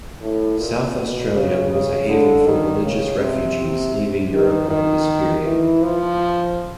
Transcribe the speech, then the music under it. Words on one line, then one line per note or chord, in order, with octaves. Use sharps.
South Australia was a haven for religious refugees leaving Europe over this period.
A2
A#2
B2
C#3
C#3
D3
D#3
C#3
C3
D#3
D#3
E3
F3